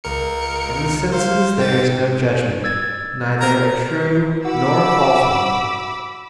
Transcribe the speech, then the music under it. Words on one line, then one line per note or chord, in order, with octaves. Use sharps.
In the senses there is no judgement--neither a true nor a false one.
C#2 A#4 C#7
C5 F5
G#2 G5 A6
E6 G#6 A6
A#4 A#5
F#4 B5 D6 E6